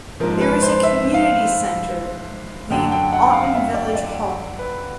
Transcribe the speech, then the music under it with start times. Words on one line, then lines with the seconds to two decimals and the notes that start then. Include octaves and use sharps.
There is a community centre, the Aughton Village Hall.
0.20 G#2 F3 A#4
0.41 B4
0.62 C5
0.83 E5
1.14 F5
2.71 F#2 D3 F#3 G5
2.92 G5
3.13 F#5
3.33 F5
3.54 E5
3.74 D5
3.95 D5
4.59 B4